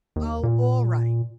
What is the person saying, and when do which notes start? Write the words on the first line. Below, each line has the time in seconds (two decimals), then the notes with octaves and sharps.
Oh, all right.
0.16 D#2
0.43 A#2